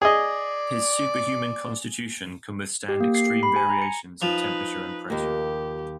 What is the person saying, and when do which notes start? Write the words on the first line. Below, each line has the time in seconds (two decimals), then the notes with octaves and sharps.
His superhuman constitution can withstand extreme variations in temperature and pressure.
0.02 G#4 D5 D#5
2.89 G4
3.00 A#3
3.15 C7
3.27 G4
3.43 B5
3.56 G#5
3.69 A#5
3.82 C#7
4.22 F3 D#4 B4
5.10 D#2 A#3 G4